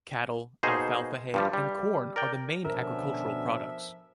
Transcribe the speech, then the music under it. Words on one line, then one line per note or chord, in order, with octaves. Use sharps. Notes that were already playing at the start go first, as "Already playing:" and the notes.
Cattle, alfalfa hay and corn are the main agriculture products.
B2 A#3 D#4 G#4 C5
G2 F3 G3
G3
A#4 D5 G5
B2 D3 F3 C#4 A#4 E5